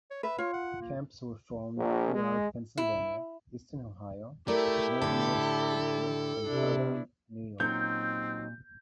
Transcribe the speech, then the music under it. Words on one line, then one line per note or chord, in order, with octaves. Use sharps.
Camps were formed throughout Pennsylvania, Eastern Ohio, Northern West Virginia and Southern New York.
C#5
B4 E5
F4 C#5
F#5
A#3
A#1
G#3
E4
A3 E4 G4 A#4 D5
A2 D3 A4
C3 D4 E4
A#2 F#3 C4 C#4 D#4 G6